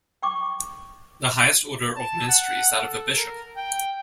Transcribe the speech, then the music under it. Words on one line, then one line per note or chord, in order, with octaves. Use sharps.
The highest order of ministry is that of a Bishop.
G5 C#6 D6
A5
F#5
A4
A#4
G5